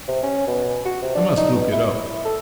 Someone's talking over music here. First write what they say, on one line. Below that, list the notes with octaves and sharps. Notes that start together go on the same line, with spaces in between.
I must look it up.
C3
C#4
B2
F#4
C3
D4
D#4
B2
E4
A4